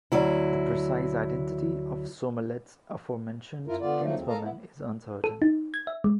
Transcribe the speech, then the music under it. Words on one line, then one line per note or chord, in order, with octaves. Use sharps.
The precise identity of Somerled's aforementioned kinswoman is uncertain.
D2 F#3 E4
F#2 E4 F4 A#4
D3 B3 F4 D5
F3 F#3 A3 A#3 D#4
E2 F3 C4
A4 A#4 D#5 F5 A5 A#5
B3 E4
A4
D#4
G#6
E5
G#3